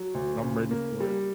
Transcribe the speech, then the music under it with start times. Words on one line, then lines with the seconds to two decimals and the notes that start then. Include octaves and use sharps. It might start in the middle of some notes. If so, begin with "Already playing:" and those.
I'm ready for it.
Already playing: F#3
0.14 D2
0.43 C#3
0.71 A#3
1.00 G3